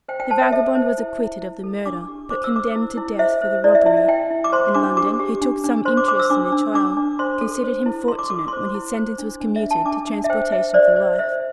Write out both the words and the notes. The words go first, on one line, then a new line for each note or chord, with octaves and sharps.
The vagabond was acquitted of the murder, but condemned to death for the robbery, and London, who took some interest in the trial, considered him fortunate when his sentence was commuted to transportation for life.
C5 G5
G5
C5 A5
E5
A4 E5
C5
E4
E4
E4
A4
D4 D6
G4
C5 D6
E6
C5 D6
E4
E4
C5 E5
C5
E4 D5
E5
E4 E5
E5
E4 G5
E4
D6
C5 C6
D4 D6
G4 D6
G4
D4
D4
C5 C6
D6
C5 D6
E6
D4 D6
D4
D4 D6
D4
C5 C6
A4
C5
E4
A4 C6
D6
A4 D6
D6
C6
C5 D6
E4
C5
D4
D4
E5
D4
A5
D4 D6
D4
E5
C5 G5
C5 E5
C5 D5
C5
C5 E5